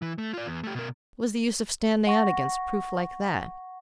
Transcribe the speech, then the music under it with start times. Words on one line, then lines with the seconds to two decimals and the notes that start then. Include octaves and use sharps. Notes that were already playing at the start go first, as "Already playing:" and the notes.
What was the use of standing out against proof like that.
0.02 E3
0.18 A3
0.34 F4 D5
0.46 E2
0.64 A3 G4
0.75 B2 A#4
2.07 F#5 C#6 A#6